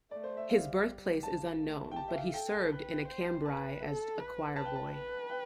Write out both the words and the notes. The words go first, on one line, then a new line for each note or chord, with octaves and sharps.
His birthplace is unknown, but he served in Cambrai as a choirboy.
A3 D5
C5
E5
G3 F5
A5
A3
G5
G4 A5
E5
F5
A4 G5
B4
C5
B4 A5
A4
B4
B4 A5
G5
A5
B4
G5